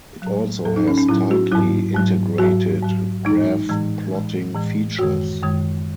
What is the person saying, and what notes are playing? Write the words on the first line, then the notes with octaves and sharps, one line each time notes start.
It also has tightly integrated graph-plotting features.
A2 F#3
A2 F#3 A4
D#4
C#4
C#4
A2 F#3 E4
F#4
G#2 F#3 E4
G#2 F#3
G#2 F#3 F#4
G#2 F#3
A2 E3 G#3 D#4
A2 E3 G#3
A2 E3 G#3
A2 E3 G#3
F#2 D#3 G#3 F#4
F#2 D#3 G#3